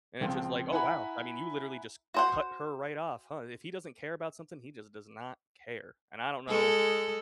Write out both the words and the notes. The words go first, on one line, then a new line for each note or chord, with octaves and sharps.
And it's just, like, oh, wow. I mean, you literally just cut her right off, huh. If he doesn't care about something, he just does not care, and I don't know
C#2 F3 C4
E4 F#5 G#5 A#5 B5
F#4 C5 F#5
G#3 A4